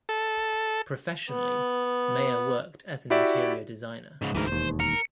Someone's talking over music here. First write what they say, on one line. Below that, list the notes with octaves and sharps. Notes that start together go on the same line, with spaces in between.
Professionally, Mayer worked as an interior designer.
A4
B3
E4 F#4 G4 D5 E5
G#2 C#3
D2 G#2 E3 A#4
E1 D#2 C5
A#4 C#7